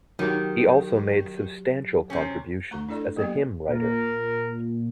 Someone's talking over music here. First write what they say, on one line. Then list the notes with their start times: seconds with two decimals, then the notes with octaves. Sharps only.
He also made substantial contributions as a hymn writer.
0.19 D#3 F#3 G4
2.10 C3 C4 C#4
2.71 A3 A#5 C#6
2.89 D4 E4 A4 D5
3.17 F#3 A#3 B3 G4
3.68 A#2 A#4